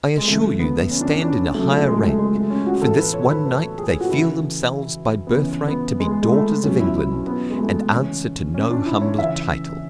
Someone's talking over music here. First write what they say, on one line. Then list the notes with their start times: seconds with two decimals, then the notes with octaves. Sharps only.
I assure you they stand in a higher rank; for this one night they feel themselves by birthright to be daughters of England, and answer to no humbler title.
0.17 G#3
0.27 C#3 E3 A3
0.59 B3
0.91 C#4
1.01 D4
1.11 C#4
1.22 D4
1.33 C#4
1.54 C#3 F#3 A3
1.71 A3
1.87 G#3
2.03 A3
2.19 G#3
2.35 A3
2.50 C#4
2.67 F#4
2.82 A2 E3 A4
2.98 B4
3.14 C#5
3.30 B4
3.46 B4
3.78 G#4
4.01 F#4
4.09 C#3 E3 E4
5.27 B3
5.37 C#3 E3 C#4
5.68 B3
6.00 G#3
6.23 G#3
6.32 A3
6.63 B2 F#3 C#4
6.80 E4
6.96 E4
7.12 C#4
7.27 B3
7.50 G#3
7.59 A3
7.91 C#3 E3 C#4
8.54 C#4
8.71 D4
8.86 E4
9.01 C#5
9.17 C#3 E3 E5